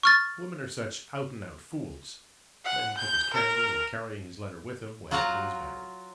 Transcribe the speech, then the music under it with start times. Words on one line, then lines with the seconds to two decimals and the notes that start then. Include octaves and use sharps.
"Women are such out-and-out fools." Then he took his candle, and carrying his letter with him, went into his bedroom.
0.03 C#6 F6 A6
2.65 F#5
2.98 G6
3.34 A#4
5.11 F#3 F4 F#4 F5 F#5 A#5